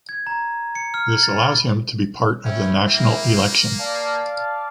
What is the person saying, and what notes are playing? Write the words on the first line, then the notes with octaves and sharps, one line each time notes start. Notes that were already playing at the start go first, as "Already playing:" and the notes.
This allows him to be part of the national election.
G#6
A#5
C#7
F6
A6
B5
C#4 E4 G5
A#3
D5 F5 A5